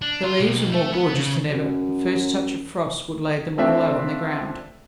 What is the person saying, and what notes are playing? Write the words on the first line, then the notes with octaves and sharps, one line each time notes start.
The leaves were more gorgeous than ever; the first touch of frost would lay them all low on the ground.
D4
F4
B1
A3
B3
C#3
F#2
A3 C4 D4 F4 E5